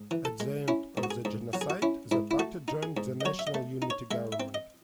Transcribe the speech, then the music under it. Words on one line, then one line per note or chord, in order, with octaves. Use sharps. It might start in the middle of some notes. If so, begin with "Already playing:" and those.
At the end of the genocide the party joined the national unity government.
Already playing: G#2
E3
A4
G#3
C#4 E4
G#2
F#4
G#4
G#2
F#3 F#4
G#4
F#4
C#4 E4
G#2 E4
E4
A3 F#4
D#4
G#4
G#2
D#5
F#3 C#5
E5
D#5
A3
D#4
C#5
G#3 E5
E5
C4
D#5